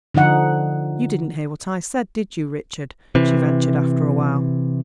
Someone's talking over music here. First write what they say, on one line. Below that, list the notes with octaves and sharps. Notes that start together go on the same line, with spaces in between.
"You didn't hear what I said, did you, Richard?" she ventured after a while.
D3 F3 D#4 F#5
C3 E3